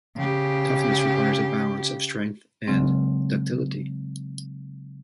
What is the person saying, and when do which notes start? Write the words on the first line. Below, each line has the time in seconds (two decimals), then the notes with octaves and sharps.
Toughness requires a balance of strength and ductility.
0.16 C#3 G4
2.68 C#3 F#3 G#3 C4